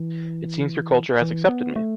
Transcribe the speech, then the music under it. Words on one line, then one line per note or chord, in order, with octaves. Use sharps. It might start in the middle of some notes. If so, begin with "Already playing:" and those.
It seems your culture has accepted me.
Already playing: E3
E3
B3
A3